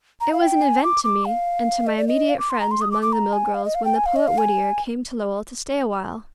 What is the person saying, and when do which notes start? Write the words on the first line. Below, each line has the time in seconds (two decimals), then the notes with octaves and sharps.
It was an event to me, and to my immediate friends among the mill-girls, when the poet Whittier came to Lowell to stay awhile.
0.21 A#5
0.33 F5
0.42 G5
0.62 G#5
0.84 D6
1.04 D6
1.25 F5
1.87 D#5
1.97 D5
2.08 D#5
2.29 F5
2.39 D6
2.50 C6
2.60 A#5
2.71 C6
2.81 D#6
2.91 D6
3.02 D6
3.13 A#5
3.33 G#5
3.55 F5
3.65 D#5
3.75 F5
3.85 G5
3.96 G#5
4.06 F5
4.16 D#5
4.28 F5
4.38 G#5